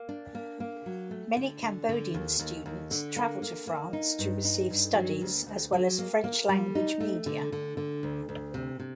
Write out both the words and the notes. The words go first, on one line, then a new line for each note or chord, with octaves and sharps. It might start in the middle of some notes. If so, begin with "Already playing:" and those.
Many Cambodian students travel to France to receive studies as well as French-language media.
Already playing: A#3
D4
A#3
A#3
F#3
A3
D3
D3
D3
D#2
D#2
D#2
D3
A#3
A#3
A#3
D#4
G2
D#4
G2
F#3
D2
D2
F#3
A#3
A#3
G3
D#4
A3
D3
D3
D3
D2
D2
C3
C3